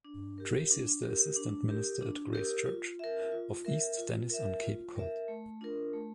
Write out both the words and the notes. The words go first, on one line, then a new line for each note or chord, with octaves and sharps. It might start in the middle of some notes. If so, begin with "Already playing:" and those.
Tracy is the Assistant Minister at Grace Church of East Dennis on Cape Cod.
D4
G4 A#4
D4
G4 A#4
D4
G4 A#4
D4
G4 A#4
F4
A#4 E5
F4
A#4 E5
F4
A#4 E5
F4
A#4 E5
A3
D4 F4 A#4
A3